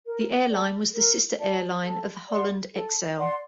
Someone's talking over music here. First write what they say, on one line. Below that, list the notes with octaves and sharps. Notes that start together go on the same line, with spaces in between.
The airline was the sister airline of Holland Exel.
A#4
D5 A5
A#4
D5 A5
A4
D5 F#5 C6
A4
D5 F#5 C6